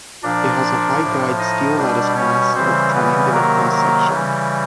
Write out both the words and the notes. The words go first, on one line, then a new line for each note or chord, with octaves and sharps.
It has a high guyed steel lattice mast of triangular cross section.
A#2 F3 D4 D5
A2 F3
D#4 D#5
B2 G3 D4 D5
C#4 C#5
C#3 E3 G3 C4 C5
B3 B4
C3 D#3 F#3 A#3 A#4
A#3 A#4
C#3 E3 G3